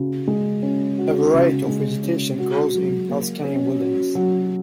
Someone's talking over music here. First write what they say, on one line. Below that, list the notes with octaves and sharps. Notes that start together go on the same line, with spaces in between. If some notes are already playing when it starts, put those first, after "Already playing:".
A variety of vegetation grows in Hells Canyon Wilderness.
Already playing: C#3 F#4
G#3
C#4
F#4
C#3
G#3
C#4
F#4
F#3
A#3
C#4
F#4
F#3